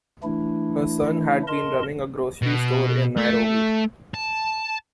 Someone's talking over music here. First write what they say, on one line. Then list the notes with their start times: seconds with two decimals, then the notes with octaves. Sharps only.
Her son had been running a grocery store in Nairobi.
0.23 E3 A3 D4 E4
1.48 A#4 D#5 A5 C6
2.42 B2
3.17 A3
4.14 A5